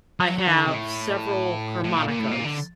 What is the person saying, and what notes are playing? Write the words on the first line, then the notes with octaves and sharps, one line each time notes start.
I have several harmonicas,
F#3
F#3
D#3
D3
C3
A2
A2
A#2
A#2
A2
A#2
D3